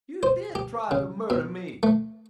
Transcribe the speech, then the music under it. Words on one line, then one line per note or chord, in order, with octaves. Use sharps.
"You did try to murder me!"
C5
G4
C#3
B2
A3